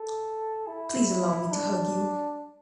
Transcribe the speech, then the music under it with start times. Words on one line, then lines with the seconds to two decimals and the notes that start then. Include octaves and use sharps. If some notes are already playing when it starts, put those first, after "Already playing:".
Please allow me to hug you.
Already playing: A4
0.67 E4
1.52 D4